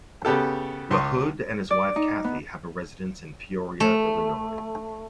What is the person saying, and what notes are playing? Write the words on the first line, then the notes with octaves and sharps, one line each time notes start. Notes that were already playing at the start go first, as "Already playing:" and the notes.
LaHood and his wife Kathy have a residence in Peoria, Illinois.
C#3 B3 G4 A4
C#2 C6 C#6
D5
D#4
B3
A3